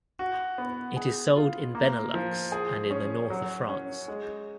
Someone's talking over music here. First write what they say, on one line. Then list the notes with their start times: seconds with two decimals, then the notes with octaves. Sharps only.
It is sold in Benelux and in the north of France.
0.19 F#4
0.58 B3
0.96 G#4
1.36 F4
1.75 A#3
2.14 F3
2.52 G#4
2.90 C#4
3.30 F#3
3.69 C#4
4.08 G#3